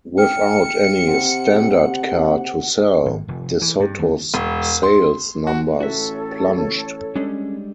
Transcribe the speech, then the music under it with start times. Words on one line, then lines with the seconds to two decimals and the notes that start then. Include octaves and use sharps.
Without any "standard" car to sell, DeSoto's sales numbers plunged.
0.18 G5 F6 C#7
1.07 C3 F#5
3.06 G#1
3.28 F1
3.61 E3
3.80 G2
3.99 D#2
4.34 E1
4.83 C6
5.47 F#4
5.80 A1 F#4 A4 C#5 E5
7.16 G3 G#3 C#4 D4